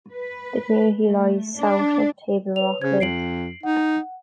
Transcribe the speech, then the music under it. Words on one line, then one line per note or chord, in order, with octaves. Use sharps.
The community lies south of Table Rock Lake.
B4
A3
D4
B4 C#5 F7
C#3 C5 G#6
F2 C7 D7 F#7
D#4 F#5